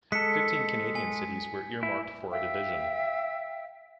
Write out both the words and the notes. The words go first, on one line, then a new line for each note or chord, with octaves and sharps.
Fifteen Canadian cities were earmarked for a division.
G#3 A4 B6 C#7
G#5
E4
E5 F5 G5